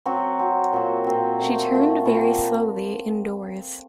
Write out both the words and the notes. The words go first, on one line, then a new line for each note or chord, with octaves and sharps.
She turned very slowly indoors.
F#3 C4 F#4
F#3 C4 F#4
A#2 F#3 C4 F#4
A#2 F#3 C4 F#4
A#2 A3 C4
A#2 A3 C4
A#2 G3 C4 F#4